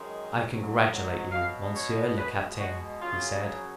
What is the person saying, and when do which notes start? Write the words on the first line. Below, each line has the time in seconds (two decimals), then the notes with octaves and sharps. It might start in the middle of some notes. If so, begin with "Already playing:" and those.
"I congratulate you, Monsieur le Capitaine!" he said.
Already playing: F#2 D#3 G#3
0.47 G#2 F#3
1.31 B2 F#3 F5
1.75 C#5
2.17 B2 G#3 B4
2.59 F#4
3.01 F#2 C#3 F#3 F4